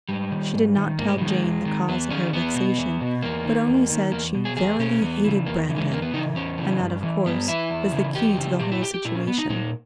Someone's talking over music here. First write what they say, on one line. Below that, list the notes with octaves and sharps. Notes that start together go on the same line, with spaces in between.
She did not tell Jane the cause of her vexation, but only said she "verily hated Brandon," and that, of course, was the key to the whole situation.
G#2 G3
D#3
G#2
D#3
G#2 A#3
G#3
D#3 G3
G#3
E2
D#3
E2 B3
D#3 C#4
E2 B3
B2
E2
B2
E2 A#3
D#3
E2
D#3
E2 A#3
B2
G#4
E2 G#4
B2 C#4
E2 B3
C#3 E3
E2 A#3
C#3 E3
G#3
E2 A#3
B3
C#3 E3 D#4
E2 C#4
C#3 E3
G2
E3
G2 B3
E3 E4
E2
C#3 E3
E2 G4
C#3 E3
A#2 G4
E4
G4
G4
A#2 E4
C#4
B3
D#4
A#2 D#4